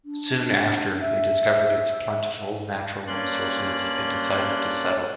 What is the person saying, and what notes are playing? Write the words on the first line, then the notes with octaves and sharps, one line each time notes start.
Soon after, they discovered its plentiful natural resources and decided to settle.
D4
E5
G2 A#3 C#4 D5 C6 F#6